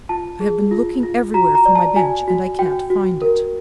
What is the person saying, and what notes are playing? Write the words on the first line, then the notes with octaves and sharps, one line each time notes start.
I have been looking everywhere for my bench, and I can't find it.
F4 A5
G#4
F4
F4
F#4 A#5
A#5
D5
A5
F#4 G#5
F#4
F#4 G5
F#4
A#4